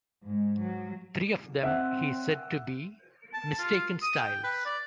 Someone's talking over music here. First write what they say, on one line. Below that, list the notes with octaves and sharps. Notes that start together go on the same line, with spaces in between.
Three of them he said to be "mistaken styles".
G#2 G#3
F#3
C4 E5 F#5 F#6
A5
F4
D#6
G5
B4
D5